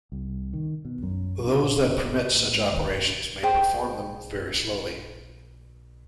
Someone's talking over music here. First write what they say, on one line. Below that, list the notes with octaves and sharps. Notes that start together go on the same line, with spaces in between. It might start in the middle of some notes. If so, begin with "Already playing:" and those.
Those that permit such operations may perform them very slowly.
C2
D#3
B2
F#2
D4
A#2
G1
B2
A#2
G#2
D#2
G#4 C5 G5